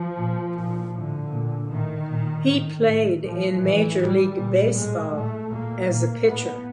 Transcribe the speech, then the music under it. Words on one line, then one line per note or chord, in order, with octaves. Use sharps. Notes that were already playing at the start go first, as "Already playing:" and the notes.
He played in Major League Baseball as a pitcher.
Already playing: F3
A#2
A#2
A2 D3
A#2
A2 D#3
A#2
A2
A2
A#2 F3
A2 E3
A2 G3
A#2 G3
A2 G#3
A2 A3
A#2 A#3
A#2
A2 B3